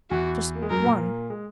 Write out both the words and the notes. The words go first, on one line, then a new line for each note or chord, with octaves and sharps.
Just one?
E2 E3 F#4
A#3
G#3
F#2 F#3 A#4
A#2 A#3
G#3